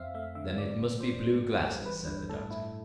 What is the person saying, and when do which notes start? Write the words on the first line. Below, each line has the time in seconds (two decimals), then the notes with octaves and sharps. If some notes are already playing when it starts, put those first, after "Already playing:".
"Then it must be blue glasses," said the doctor.
Already playing: F2 C4 E5 F5
0.14 A3 E5
0.35 D3 E5
0.57 A1 D5
0.79 A1
1.00 F3 C5
1.22 A2
1.43 G1
1.64 G3
1.86 E3 B4
2.07 G2
2.30 A2 A4
2.51 E4